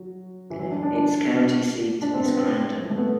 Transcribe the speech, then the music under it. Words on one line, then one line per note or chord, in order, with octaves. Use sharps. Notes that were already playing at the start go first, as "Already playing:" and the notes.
Its county seat is Crandon.
Already playing: F#3
E3
F#3
D4
D4
D4
D4
C4
B3
C4
A3
B3